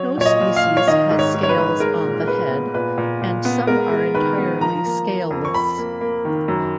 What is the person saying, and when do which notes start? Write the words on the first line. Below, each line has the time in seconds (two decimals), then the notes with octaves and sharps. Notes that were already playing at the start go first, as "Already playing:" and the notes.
No species has scales on the head, and some are entirely scaleless.
Already playing: F#3 C#5
0.17 A#2 C#5
0.26 D#5
0.41 A#2
0.56 F5
0.64 A#2
0.77 C#5
0.88 D#3 D#5
1.10 G#2
1.19 C#5
1.34 G#2
1.43 C#5
1.49 B4
1.57 G#2
1.80 G#3 A#4
2.04 A#2
2.20 A#4
2.28 G#3 B4
2.51 B3
2.74 A#2 B4
2.98 A#2
3.22 A#2
3.45 B3
3.67 G#3 A#4
3.91 G#3
4.14 D#3 B4
4.38 B3
4.61 F3 A#5
4.85 A#3
5.08 A#3
5.31 F2
5.45 C#6
5.54 F2 B5
5.78 A#3
6.01 A#3
6.25 D#3
6.48 F#2